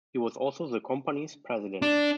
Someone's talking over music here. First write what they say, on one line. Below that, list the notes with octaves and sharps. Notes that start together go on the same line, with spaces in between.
He was also the company's president.
D4